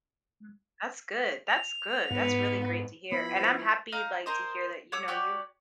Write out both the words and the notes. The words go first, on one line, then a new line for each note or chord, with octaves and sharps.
Mm, that's good, that's good, that's really great to hear, and I'm happy, like, to hear that, you know, you
F7
G#2 B3
F3 B3 E4 C5 B5
D#4 F5 A#5
A#4 C5 D#5
C#5 F#5 D6 E6
F#4 G4 C#5 D5